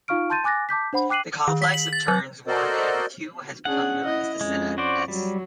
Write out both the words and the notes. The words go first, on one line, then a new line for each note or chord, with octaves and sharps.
The complex of turns one and two has become known as the Senna 'S'.
D#4 F4 F5 C#6 F6 D7
A5 C6 G6 A6 D#7
G#5 D6 F#6 A6 A#6
A5 D6 G6 B6
D4 C5 F#5 B5
G5 D6 F#6 C7 D#7 F#7
D#3
B6
F#7
A6
F#3
F#4 A4 A#4 C5 D5 D#5
C#4 D4 G#4 F#5
E4 D#5
F2 G#3 C#4
F#4 C5 D5
F#3 G3